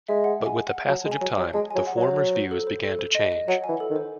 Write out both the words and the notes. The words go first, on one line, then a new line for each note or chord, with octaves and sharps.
But, with the passage of time, the former's views began to change.
G#3 E5
F#5
G#5
F#5
F#3 A5
G#3
G#5
F#3
G#5
F#3
G#3 A5
G#5
F#3
F#5
F#3
C5
C#5
C5
A4
C5
A4
C5
D#5
D#5
F#3 F#5
G#5
E3
A4
D#3
C5